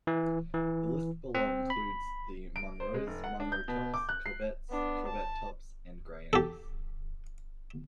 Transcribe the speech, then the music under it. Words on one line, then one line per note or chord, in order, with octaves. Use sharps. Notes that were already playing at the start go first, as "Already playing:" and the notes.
The list below includes the Munros, Munro Tops, Corbetts, Corbett Tops and Grahams.
E3
E3
C4
B5
D7
C5
G#3
F1
F#5
D4
G6
B2
D6
F#6
C7
B3 D4
A5
G4 A4